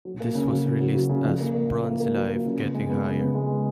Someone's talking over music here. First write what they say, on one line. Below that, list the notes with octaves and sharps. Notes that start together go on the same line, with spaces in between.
This was released as "Bronz Live - Getting Higher".
F#3
A#3
C#3
F#3
C#3
F#3
F#3
C#3
A#1
A#3
A#3
A#3
A#3
A#3
F#3
A#3
C#3
B3
G#3
B3
C#3
B3
G#3